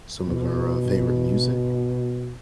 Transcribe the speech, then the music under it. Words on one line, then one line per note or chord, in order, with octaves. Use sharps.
some of our, uh, favorite music,
D#1 B2
G1